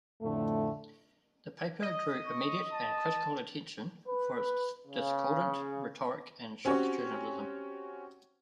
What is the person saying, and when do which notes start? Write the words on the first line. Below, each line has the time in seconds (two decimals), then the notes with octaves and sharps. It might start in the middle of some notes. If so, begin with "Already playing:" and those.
The paper drew immediate and critical attention for its discordant rhetoric and shock journalism.
0.22 F2 A2 D3 A3
1.82 D#5
2.26 C#6
2.73 A5
4.07 B4
4.88 C#3
6.65 C4 C#4 F#4 G4 C#5